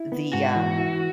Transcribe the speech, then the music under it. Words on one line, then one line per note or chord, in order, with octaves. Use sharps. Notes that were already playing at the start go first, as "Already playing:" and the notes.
the, um
Already playing: E4
B3
G#2 F#4
E3
E4